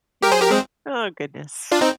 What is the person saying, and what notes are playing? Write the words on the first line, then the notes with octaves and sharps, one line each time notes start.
Yeah. Oh goodness.
G4 A#4
G#4 C5
G4 A#4
G#3 C4
D4 F4
C4 D#4